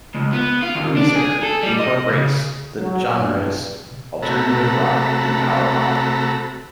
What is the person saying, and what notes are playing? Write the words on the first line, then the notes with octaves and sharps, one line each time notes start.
"Weezer" incorporates the genres alternative rock and power pop.
C#2
B3
F4
D#2
D4
G#4
A4
G3
D#5
C#3
F#3
G2
C3 A3 F#4 A4 A#5 B5